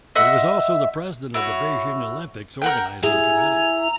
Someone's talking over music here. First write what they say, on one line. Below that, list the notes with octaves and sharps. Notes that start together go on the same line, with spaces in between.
He was also the President of the Beijing Olympics Organizing Committee.
D#5 E5 F#5 C6
E4 F#4 C#5
A#4 F#5 G5
E4 G#4 E5 G#5 A#5